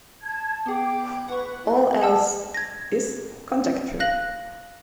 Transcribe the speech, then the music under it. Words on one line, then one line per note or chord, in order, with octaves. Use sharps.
All else is conjecture.
A5 G#6
B3 G#4 G5 D6
B4 F#5 C#6
E4
F#5 A5 E6
G#6 A#6
F5 F#6 A#6 F#7